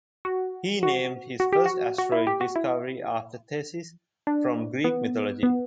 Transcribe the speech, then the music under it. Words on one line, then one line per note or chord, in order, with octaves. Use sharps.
He named his first asteroid discovery after Thetis from Greek mythology.
F#4
F#4
F#4
G4
F#4
F#4
E4
G4
F#4
E4
D4
B3
B3